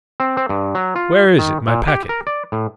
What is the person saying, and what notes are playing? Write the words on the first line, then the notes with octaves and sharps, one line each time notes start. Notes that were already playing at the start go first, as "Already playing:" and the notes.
"Where is it, my packet?"
C4
C4
G2
F#3
F4
D#3
A#2
G4
A#4
D5
A2